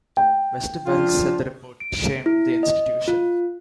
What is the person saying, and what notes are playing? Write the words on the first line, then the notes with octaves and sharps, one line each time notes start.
Westerwelle said the report "shamed" the institution.
G5
F3 D4 F4
D7
E4
D#5
F4